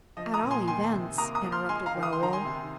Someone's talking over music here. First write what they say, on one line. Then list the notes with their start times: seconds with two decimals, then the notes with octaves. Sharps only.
"At all events--" interrupted Raoul.
0.17 F3 D#5
0.34 A#5 D#6
0.42 A#2
0.51 G#5 C6
0.68 D#3 G#5 C6
0.93 C3
1.18 A#3 A#5 D#6
1.35 A#5 D#6
1.44 F3
1.52 C6 F6
1.69 G#3 G#5 C6
1.86 F5 A#5
1.94 D#3
2.03 D#6
2.13 C6
2.20 D#3 A#5
2.33 G#5 C6
2.45 C3